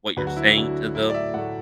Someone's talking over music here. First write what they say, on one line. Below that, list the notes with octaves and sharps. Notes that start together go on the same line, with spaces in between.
what you're saying to them.
D2 D3 F#3 B4
F#4
E4
D2 D3 F#3
A2 F#3 A3 E4
D5
E5
A2 F#3 A3 F#5